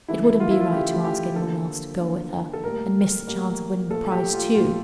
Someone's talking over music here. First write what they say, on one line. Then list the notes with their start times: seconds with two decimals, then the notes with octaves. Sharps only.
It wouldn't be right to ask any one else to go with her, and miss the chance of winning the prize, too.
0.08 C#3 E3 A3 E4
0.40 F4
0.51 E4
0.61 F4
0.72 C#3 E3 A3 G4
0.94 F4
1.04 G4
1.36 D3 F3 A#3 A4
1.99 D3 F3 A#3
2.53 A4
2.64 A2 G3 A#3 A#4
3.27 A2 G3 A#3
3.90 A#2 F3 A3 A4
4.12 G4
4.33 F4
4.55 A#2 F3 A3 F4